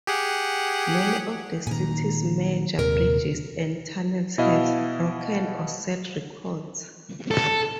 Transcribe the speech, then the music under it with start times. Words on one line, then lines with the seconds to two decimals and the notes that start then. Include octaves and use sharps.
Many of the city's major bridges and tunnels have broken or set records.
0.07 G4 G#4 F#5
1.67 A#2 D#3 G#5 A#5
2.79 D#1 D#2 C3 A#4
4.38 B2 E4 D#5 F5
7.31 A4